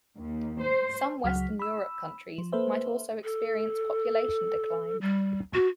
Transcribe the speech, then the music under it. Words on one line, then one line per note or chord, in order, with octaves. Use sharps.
Some Western Europe countries might also experience population decline.
D#2
C5
C#2 F#3 F#5 F6 B6
B5 E6
F3
A#3 A4 B4 C5 E5
A4
G3
F#4